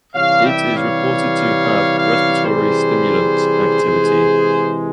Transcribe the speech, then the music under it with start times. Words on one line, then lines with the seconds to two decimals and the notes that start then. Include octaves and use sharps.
It is reported to have respiratory stimulant activity.
0.14 C3 E3 G3 C#5 F5
0.45 E5 G5
0.75 C#5 F5
1.99 C#5 F5
2.44 G#4 C5
3.82 C3 E3 G#3